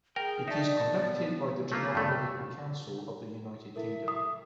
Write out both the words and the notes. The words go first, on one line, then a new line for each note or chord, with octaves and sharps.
It is conducted by the General Medical Council of the United Kingdom.
G#4 A#4 G5
D#4 D5 E5 A5
E2 F3
A3 A#3 C#4 F4
G2 A3
E4 A4 A#4 E5
D#6